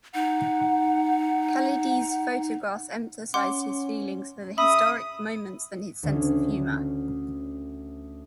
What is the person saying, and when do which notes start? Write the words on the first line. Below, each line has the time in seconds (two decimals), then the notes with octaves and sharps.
Khaldei's photographs emphasised his feelings for the historic moments and his sense of humour.
0.14 D#4 F#5
3.34 C#4 F#5 C6 D6
4.58 C#3 C#4 E5 B5 D#6
6.03 D2 D3 C#4